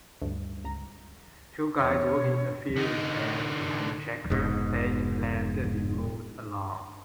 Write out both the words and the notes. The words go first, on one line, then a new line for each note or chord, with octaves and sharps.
Two guys working in a field with plants behind a tractor playing plants as it moves along.
D2 G2
C#2 A#5
E2 C#5
B2
D3 D#4
F1 G#2 B2